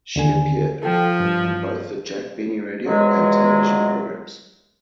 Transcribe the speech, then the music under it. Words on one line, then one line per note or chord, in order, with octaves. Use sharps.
She appeared on both the Jack Benny radio and television programmes.
D#2 D3 G#5
F3 A4 G5
G2
E2 B2 F3 F#3 G#3